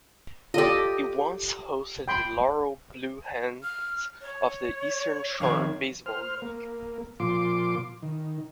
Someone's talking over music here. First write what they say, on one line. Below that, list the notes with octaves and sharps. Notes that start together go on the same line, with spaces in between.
It once hosted the Laurel Blue Hens of the Eastern Shore Baseball League.
F4 G4 A4 D5 D#5
G5 B5 C6
F6
C#5
F2 D#3 C#5 F5
C5 F6
A#3
A#2 F3 C6 D6
D#3